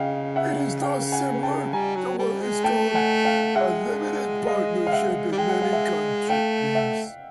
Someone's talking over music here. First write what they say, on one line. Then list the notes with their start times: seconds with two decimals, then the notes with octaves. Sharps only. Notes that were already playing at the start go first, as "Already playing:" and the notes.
It is thus similar to what is called a limited partnership in many countries.
Already playing: C#3 D#5 F5 G5
0.36 E5 F#5
0.82 F5 G5
1.12 F#5 G#5
1.43 G5 A5
1.73 G3 G#5 A#5
1.96 F#3
2.19 G3
2.42 G#3
2.64 A3 G5 A5
2.95 F#5 G#5
3.25 F5 G5
3.56 G#3 E5 F#5
4.47 D#5 F5
4.87 F5
4.92 E5 F#5
5.32 G3
5.38 G#3 G5
5.49 F#5
5.62 F5
5.73 E5 F#5
6.29 A3 F5 G5
6.75 E5 F#5